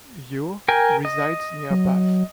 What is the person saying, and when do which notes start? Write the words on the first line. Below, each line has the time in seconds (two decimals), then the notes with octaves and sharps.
Ure resides near Bath.
0.68 A#4 G5 G#5
1.05 D#5
1.70 F#3